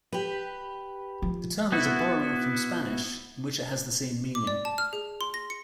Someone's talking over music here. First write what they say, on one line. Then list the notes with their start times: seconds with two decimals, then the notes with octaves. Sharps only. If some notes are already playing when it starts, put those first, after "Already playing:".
The term is a borrowing from Spanish, in which it has the same meaning.
0.12 G4 B4
1.22 F3
1.72 B3 E4 F#4
4.35 D6
4.47 D5
4.65 A5
4.78 F6
4.93 G#4
5.21 C6
5.34 A#6
5.50 C#7